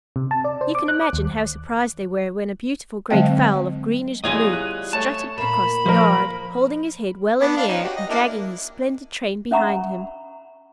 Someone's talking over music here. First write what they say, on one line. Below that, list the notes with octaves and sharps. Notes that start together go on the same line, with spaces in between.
You can imagine how surprised they were when a beautiful great fowl of greenish-blue strutted across the yard, holding his head well in the air and dragging his splendid train behind him.
C3
A5
D5
C5
D6
F#6
D6
D#2
D3 F#3 G#3 C4 D#5 G5
E2 G3 E4 F4 G#4 C#5 D#5
F#6
A3 C#5 A5
A#2 A#3 B5 E7
F3 A#4 C5
B3 D4
D4 F5
C#4 D#4
F#4 G4
D#5
A#3 D4 E4
C#4 E5 F#5 A#5 B5 C#6